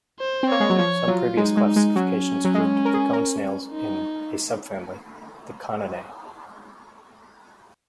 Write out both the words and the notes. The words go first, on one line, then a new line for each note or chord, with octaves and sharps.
Some previous classifications grouped the cone snails in a subfamily, the Coninae.
C5
C4
A#3 C#5
G#3
F#3
F3 C#5
F#3 F4
G#3 D#4
G#3
D#4
G#3
F#3 C#4
F#3
G#3
A#4
G#4
A#4
D#4